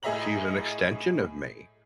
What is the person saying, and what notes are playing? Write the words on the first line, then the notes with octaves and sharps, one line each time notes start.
she's an extension of me.
A2 G#4 D#5 E5 A#5 F#7